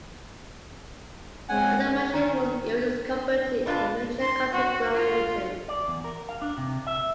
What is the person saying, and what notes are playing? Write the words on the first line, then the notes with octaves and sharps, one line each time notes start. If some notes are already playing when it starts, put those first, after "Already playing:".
Under Russian rule, it was converted into a major cotton-growing region.
G#3 C4 C#4 F#5 G#5
D#3 C#4
B2 D4 F4 B4 A5
C6
F#4
F4
D5
E2
A#4
F5
D4
C3
E5